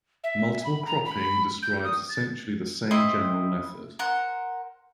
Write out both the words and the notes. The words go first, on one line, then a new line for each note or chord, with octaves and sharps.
Multiple cropping describes essentially the same general method.
E5
B5
A#5
B5
G6
D#6
A6
C4 E4 C5 D#5
A#4 C5 F#5